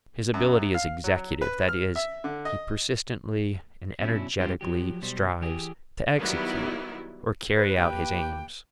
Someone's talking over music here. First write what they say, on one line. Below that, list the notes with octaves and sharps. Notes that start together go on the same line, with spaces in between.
His ability is executive; that is, he persistently and energetically strives to execute or carry out his aims.
F#2
F5
F#3
B4
F6
E5
D3
D#5
B2 F#3 C#4 D4 E4
G3 C#4 F4 G4 C5
F3 F#3 G4
B1 B2 G3 C5
E3 G4 G#4
D#3 F#3 G3 B3 E4
B4
A#3 G4 B4 G5